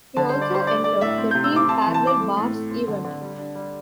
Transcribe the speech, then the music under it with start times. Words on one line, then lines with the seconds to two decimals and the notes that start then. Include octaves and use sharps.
He also entered the team parallel bars event.
0.17 D3 A5
0.29 C5
0.33 G3
0.41 D5
0.50 G3 C5
0.67 D4 D5
0.84 A3 D5
1.01 A2 E5
1.18 C4
1.31 G6
1.35 C3
1.44 E6
1.52 C4 D6
1.69 C4 A5
1.82 A5
1.86 E3
1.94 A5
2.03 C4 D6
2.20 A3
2.37 A2
2.54 A3
2.71 C4
2.88 D3
3.05 D3
3.22 G3
3.38 D4
3.55 G3